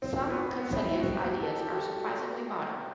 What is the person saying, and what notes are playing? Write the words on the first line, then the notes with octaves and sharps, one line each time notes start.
Some of Consentius' ideas are surprisingly modern.
C4
B3
B3
C4
E4
F#4
G4
A4
G4
F#4